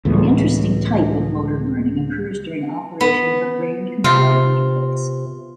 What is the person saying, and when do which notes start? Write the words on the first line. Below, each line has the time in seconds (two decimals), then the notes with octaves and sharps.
An interesting type of motor learning occurs during operation of a brain-computer interface.
0.05 C#2 A2 E3 B3
3.01 B3
4.04 C3 F4